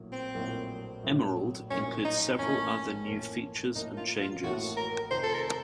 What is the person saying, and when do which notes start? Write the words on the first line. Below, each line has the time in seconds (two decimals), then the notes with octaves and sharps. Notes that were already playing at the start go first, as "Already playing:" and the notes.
"Emerald" includes several other new features and changes.
Already playing: A#1 A2 F#3 A#3
0.12 C4
0.35 A#1 A2 F#3 A#3
1.03 A#1 A2 F#3 A#3
1.70 A#1 A2 F#3 A#3 C#4
2.05 D#4
2.38 A1 A2 F3 A#3 C#4
3.06 A1 A2 F3 A#3
3.75 A1 A2 F3 A#3 D#4
3.97 F4
4.21 F4
4.43 A1 A2 F3 A#3 F#4
4.77 A#4
5.11 F1 F2 D#3 C5
5.23 A4
5.34 A#4